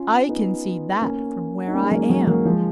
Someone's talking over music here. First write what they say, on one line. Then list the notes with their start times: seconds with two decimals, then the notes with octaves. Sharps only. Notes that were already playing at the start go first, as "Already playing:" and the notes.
I can see that from where I am.
Already playing: C#4 F4
0.29 B3 D#4
1.02 A#3 C#4
1.67 D#4
1.73 A#3 C#4
1.82 G#3
1.91 F#3 A#3
2.10 F#3 A#3
2.27 F#3 A#3
2.45 F3 G#3